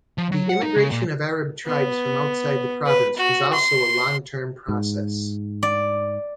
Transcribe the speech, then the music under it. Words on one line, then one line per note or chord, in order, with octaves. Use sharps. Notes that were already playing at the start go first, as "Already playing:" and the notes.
The immigration of Arab tribes from outside the province was also a long-term process.
F3
F#3
F#5
D#4
C#3
A#2
B3
B4
F#4
C6
G#2
D5